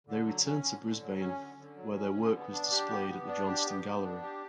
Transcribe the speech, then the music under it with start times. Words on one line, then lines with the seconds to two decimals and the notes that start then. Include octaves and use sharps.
They returned to Brisbane where their work was displayed at the Johnstone Gallery.
0.07 D3
0.25 F#3
0.45 C#4
0.63 D3
0.82 D3
1.01 F#3
1.20 C#4
1.39 D3
1.58 D3
1.77 F#3
1.96 C#4
2.15 D3
2.33 B3
2.52 D4
2.71 G4
2.90 B3
3.09 B3
3.27 D4
3.47 G4
3.66 B3
3.85 B3
4.03 D4
4.22 G4